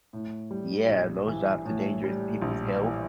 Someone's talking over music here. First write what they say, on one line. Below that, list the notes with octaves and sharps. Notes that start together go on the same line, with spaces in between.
Yeah, those jobs are dangerous to people's health,
A2
G3
A#1
E3
A2
G3
A#1
E3